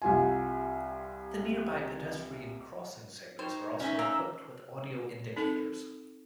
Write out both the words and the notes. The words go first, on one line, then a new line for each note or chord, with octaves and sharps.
The nearby pedestrian crossing signals are also equipped with audio indicators.
C2 G3 F4 G#5
G3 D#4 C5 C#5
C#4 D#4 E5
D5 F5 A#5 E6
C4 D#4 A4